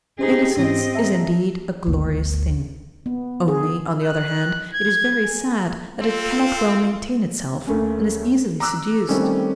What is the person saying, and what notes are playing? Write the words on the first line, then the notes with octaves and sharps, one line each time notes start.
Innocence is indeed a glorious thing; only, on the other hand, it is very sad that it cannot well maintain itself and is easily seduced.
C#4 D#4 G4 G#4 C5
G#2 E3 C4 D#5
E5 A5 A#5
G1 D2
B3
G#4
F#6
G#6
G#5
C4 F4 A4
D2 A3 A#3 C#4
A#5 D6 E6 F#6
D#3 G3 A3 C4 C#4